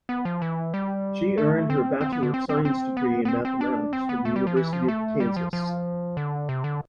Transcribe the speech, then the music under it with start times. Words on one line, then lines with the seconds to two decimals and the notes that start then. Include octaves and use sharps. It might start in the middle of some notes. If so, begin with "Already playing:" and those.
She earned her Bachelor of Science degree in Mathematics from the University of Kansas.
0.09 B3
0.25 F3
0.42 E3
0.74 G3
1.38 A3
1.70 C4
2.01 C4
2.12 B3
2.23 D3
2.34 C4
2.49 C4
2.65 C4
2.97 B3
3.25 B3
3.28 C4
3.45 C4
3.61 D4
3.93 C4
4.09 B3
4.25 A3
4.36 G3
4.47 F3
4.57 E3
4.73 F3
4.88 A3
5.20 G3
5.37 F3
5.53 F3
6.17 D3
6.49 C3
6.64 D3